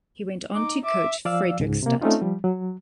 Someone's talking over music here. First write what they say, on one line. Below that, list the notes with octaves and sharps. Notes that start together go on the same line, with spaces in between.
He went on to coach Fredrikstad.
D#4 D6
E5 D6
F3 D5 F5 E6
C#2 G#2
C3 A#3
A3 C4 C#4 D#4 F4
F3 G3
F#3